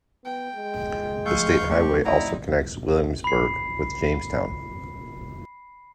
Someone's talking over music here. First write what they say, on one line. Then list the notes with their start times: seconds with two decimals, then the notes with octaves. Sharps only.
The state highway also connects Williamsburg with Jamestown.
0.25 B3 G5
0.55 G#3
1.26 F3 A3 F5 C#6 E6 G6
1.69 A3 C4 G4 C#6
2.05 C4 D#4 E4 D5 D#5 F#5 A#5
3.24 B5 C7